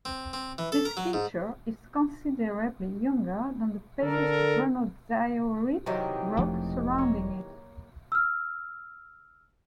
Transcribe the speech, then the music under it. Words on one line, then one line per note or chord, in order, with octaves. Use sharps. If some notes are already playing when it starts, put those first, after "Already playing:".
This feature is considerably younger than the pale granodiorite rock surrounding it.
C4
C4
E3
A4
A#4
F#3
G#2
D3 A4 A#4
C3 D#3 E3 F#3 G4
E1 F3 A3
A#3 C#5
E6 F6